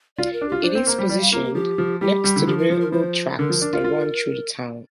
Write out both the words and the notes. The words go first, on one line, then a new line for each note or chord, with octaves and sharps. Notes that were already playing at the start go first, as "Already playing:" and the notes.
It is positioned next to the railroad tracks that run through the town.
F4 D5
A#4
D4
F4 G4
D4 C5
C4
A#3
G3
G3 D5
F5
A#3 F4
G4
F3 G4
F3
G3 G4
G3
D3 F4
F3 G4
A#4
F3 C5
A#4
F3 C5
D3 A#4
F3
D4
F4
F4